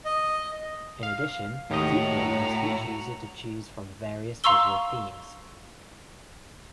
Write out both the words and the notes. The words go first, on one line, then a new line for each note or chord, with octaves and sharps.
In addition, Tiki allows each user to choose from various visual themes.
D#5
F5
D#2 A2 F#4 D#5 A#5
F5 A#5 C6 C#6 E6 G7